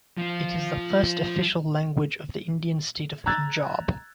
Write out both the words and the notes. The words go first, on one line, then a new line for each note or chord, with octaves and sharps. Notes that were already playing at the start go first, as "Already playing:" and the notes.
It is the first official language of the Indian State of Punjab.
F3 F4
A#5 E6 F#6 G#6 A6